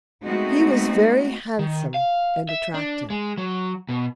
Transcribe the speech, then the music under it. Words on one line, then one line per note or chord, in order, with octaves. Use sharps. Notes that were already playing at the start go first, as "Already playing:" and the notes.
He was very handsome and attractive.
G#3 A3 B3 C4 D#4 F#4
D#3
F5
E5
D4
G#3
F#3
B2